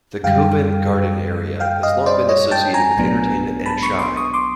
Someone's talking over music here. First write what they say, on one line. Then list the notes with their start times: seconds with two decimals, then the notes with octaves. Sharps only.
The Covent Garden area has long been associated with entertainment and shopping.
0.24 F#2 D3 G3 F5 G5
1.60 F5 G5
1.83 D#5 F5
2.06 C5 D5
2.29 C#5 D#5
2.51 G5 A5
2.74 G#5 A#5
2.97 B1 A2 F#3 B3 D4
3.66 A5 B5
3.82 B5 C#6
3.99 C6 D6
4.17 C#6 D#6
4.34 C6 D6